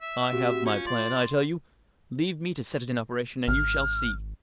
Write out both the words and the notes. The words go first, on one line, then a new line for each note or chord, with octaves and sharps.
"I have my plan, I tell you; leave me to set it in operation, and you shall see."
E5
C4 F#4 G4
C#4 F4
D5 C6
G#1 F6